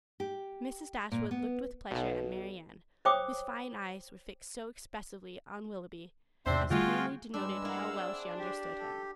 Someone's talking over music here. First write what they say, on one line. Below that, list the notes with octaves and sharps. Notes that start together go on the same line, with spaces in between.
Mrs. Dashwood looked with pleasure at Marianne, whose fine eyes were fixed so expressively on Willoughby, as plainly denoted how well she understood him.
G4
A#2
B3
B1 B2
C5 C#5 G5 D6 D#6
E2 G#2 C3 C4 D4 C5 E5
D3 G3 A3 F4 F#4 G#4 G5
G2 G3 G#3 D4 E6
E4 A#4 F5 F#5
C4 D4 G#4 D5
G4
A4 G5